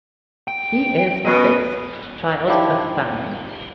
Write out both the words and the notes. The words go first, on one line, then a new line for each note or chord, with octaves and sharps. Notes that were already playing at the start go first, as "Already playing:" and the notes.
He is the sixth child of the family.
G5
F#2 B2 D#5
D#3 F3 D4 E4 G4